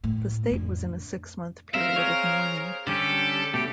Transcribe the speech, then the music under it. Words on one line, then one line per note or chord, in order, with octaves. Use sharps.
The state was in a six-month period of mourning.
A2
F2 D3
C4 A#4 E5 F5
G#4 C5 C#5
D3 G3 C#4 G4 A4
B2 A3 G4